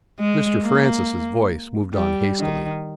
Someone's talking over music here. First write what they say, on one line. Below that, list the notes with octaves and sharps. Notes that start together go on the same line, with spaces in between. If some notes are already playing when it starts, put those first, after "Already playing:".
Mr. Francis's voice moved on hastily.
G#3
A#3
G3
D#3